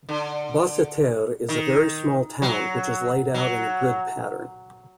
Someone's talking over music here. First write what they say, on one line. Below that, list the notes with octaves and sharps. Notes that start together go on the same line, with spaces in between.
Basseterre is a very small town which is laid out in a grid pattern.
D3
D#3
F#3
F#3